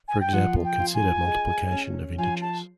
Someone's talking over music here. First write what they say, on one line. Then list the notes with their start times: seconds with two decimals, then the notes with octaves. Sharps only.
For example, consider multiplication of integers.
0.08 G#5
0.21 G5
0.33 F3 F#5
0.64 G5
0.79 F4
0.94 G#5
1.26 G#3
1.72 C#4
2.18 F3 G#5
2.41 A5